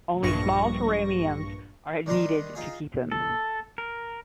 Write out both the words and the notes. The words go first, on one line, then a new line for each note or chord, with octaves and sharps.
Only small terrariums are needed to keep them.
A#1 G2 C#6 A#6
D#3 G3 D4 A#5 C6 D#6
D#4 F4 G#4
A4
A#4